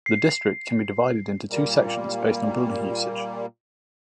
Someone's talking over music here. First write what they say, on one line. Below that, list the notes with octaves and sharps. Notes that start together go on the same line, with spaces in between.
The district can be divided into two sections based on building usage.
C7
A#2 G3 A#3